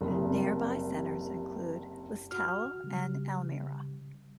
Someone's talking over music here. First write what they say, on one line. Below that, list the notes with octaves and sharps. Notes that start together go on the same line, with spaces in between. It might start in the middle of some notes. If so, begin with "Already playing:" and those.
Nearby centres include Listowel and Elmira.
F#1 C2 G3
F#4 F6
C#3 G3